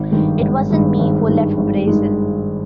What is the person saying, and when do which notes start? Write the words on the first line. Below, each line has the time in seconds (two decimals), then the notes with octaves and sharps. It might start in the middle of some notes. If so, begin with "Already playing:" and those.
It wasn't me who left Brazil.
Already playing: G#1
0.11 G2 D#3 G#3
0.40 G#1
0.70 G2 D#3 G#3
0.99 G#1
1.29 G2 D#3 G#3
1.58 G#1
1.87 G2 D#3 G#3